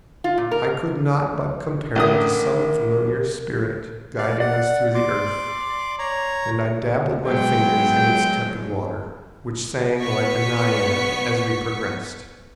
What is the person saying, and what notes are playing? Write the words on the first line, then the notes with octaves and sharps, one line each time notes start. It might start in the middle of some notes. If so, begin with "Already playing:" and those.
I could not but compare it to some familiar spirit, guiding us through the earth, and I dabbled my fingers in its tepid water, which sang like a naiad as we progressed.
F4
A#2
A#4
A1 D3 A#4 D#6
D5 F5
D5 F#5
C6 D6
C#5 A#5
F#3 G#3 B3 G5
B3 C#6 B6 C#7